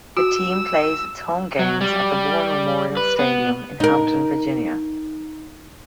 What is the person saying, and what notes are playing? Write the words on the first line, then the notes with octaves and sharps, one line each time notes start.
The team plays its home games at the War Memorial Stadium in Hampton, Virginia.
F#4 E6
F#3
G3
B4
B3
D#4 A#4